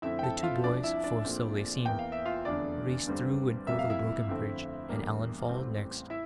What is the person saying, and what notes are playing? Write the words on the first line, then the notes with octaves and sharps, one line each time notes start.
The two boys--for so they seemed--raced through and over the broken bridge, and Allan followed next.
F2 D3 A3 C4 E4 E5
G5
A4 A5
E5
F4 F5
C2 C3 F3 D4 D5
E4 E5
D4 D5
A#1 A#2 A3 C4
E2 E3 A#3 G5
F5
E5
F4 F5
F1 E2 D3 D4 D5
G2 D3 G3 C4
F2 C3 G3 A#3 E5
F5
E4 E5
G1 F2 D3 A3 C4
E2 D3 G3 A#3
A1 A2 G3 C4
E4 E5